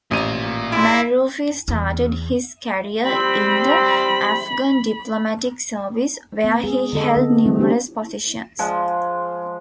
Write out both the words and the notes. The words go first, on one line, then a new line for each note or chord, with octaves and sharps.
Maroofi started his career in the Afghan diplomatic service where he held numerous positions.
A1 F2 A#2 A#5 D#7
G#2 G#3 E4 D5
E2
G3 C4 B5
B3
G#3 G#4
D3 G#3 A4 D#5
D3 B3 C4
E3 G3 G#3 C4 C#4 E4
B3 C#4 D4 G4 G#4 C5
F3 G#3